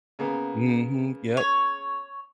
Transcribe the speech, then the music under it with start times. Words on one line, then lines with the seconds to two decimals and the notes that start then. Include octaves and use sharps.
Mhm, yep.
0.19 C#3 A#3 B3
1.37 C#5